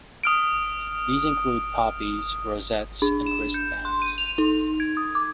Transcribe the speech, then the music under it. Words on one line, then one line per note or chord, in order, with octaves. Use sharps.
These include poppies, rosettes and wristbands.
D#6 F6 D7
D4
E7
G6
C6
D#7
F7
D#4
G#6
D#6
D6